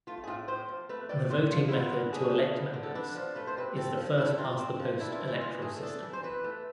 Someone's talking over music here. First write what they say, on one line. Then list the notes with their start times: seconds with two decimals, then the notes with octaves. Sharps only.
The voting method to elect members is the First Past the Post electoral system.
0.07 A3 F4
0.24 G#4
0.27 A2 F4
0.48 A2 C5
0.68 F3
0.89 A3 B4
1.09 A2 D5
1.30 A2 C5
1.50 F3 F4
1.68 E4
1.71 B3 F4
1.93 D3
2.13 D4 G#4
2.33 F3
2.54 B3
2.74 D3
2.83 A4
2.95 D4 B4
3.15 F3
3.35 A3 B4
3.47 C5
3.57 C3 B4
3.76 C4 A4
3.97 F3
4.18 A3 E4
4.38 C3 F4
4.59 C4
4.79 F3
5.00 D4 E4
5.14 F4
5.20 E3
5.27 E4
5.41 E3 F4
5.62 A3 G#4
5.83 D4 A4
6.03 E3
6.13 C5
6.23 E3 B4
6.44 A3